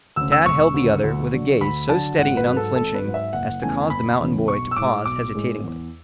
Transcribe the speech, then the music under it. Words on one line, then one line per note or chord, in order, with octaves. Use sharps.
Tad held the other with a gaze so steady and unflinching as to cause the mountain boy to pause hesitatingly.
D2 C#3 E6
E6
E1 C#6
D2
C#3
D2
D3 F#3
D2 B5
D3 F#3 A5
G#1 F#5
B4
G#2 F#3
A4
G#1 A4
B4
G#2 F#3
E5
F#1 F#5
E2 C#3 E3 A3 G#5
F#1 B5
E2 C#3 E3 A3
B1 C#6
E6
A2 G#3 D6
B1 D6
A2 G#3
E2